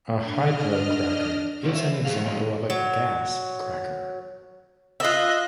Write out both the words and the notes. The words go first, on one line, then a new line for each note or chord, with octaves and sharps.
A hydrocracker is an example of a gas cracker.
D4 D#5 F6
A#2 E3 G3 F#4 A4 C#5
C5 E5
E3
G3 G4 G#4 F5
A2 E3 F#3 G#3 D#4
F#3
F4 D#5 E5 F#6